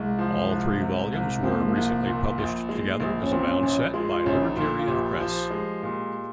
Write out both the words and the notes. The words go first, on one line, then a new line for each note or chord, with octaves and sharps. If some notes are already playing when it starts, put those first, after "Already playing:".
All three volumes were recently published together as a bound set by Libertarian Press.
Already playing: C2 G#3
F3
C2
C3
C2
F3 C4
A#3
G#3
A#3
C2
A#2
A#1
G#3
A#1
C#4
A#2 C4
C#4
A#1 C#4
G#3 F4
F4
A#1 C#4
D#4
A#2 F4
F4
A#1 G4
F3
G#3
A#2